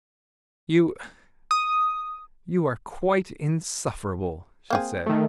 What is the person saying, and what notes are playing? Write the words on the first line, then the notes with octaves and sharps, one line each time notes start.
"You... you are quite insufferable," she said.
D#6
A#3 C4 G#4
D#3 A3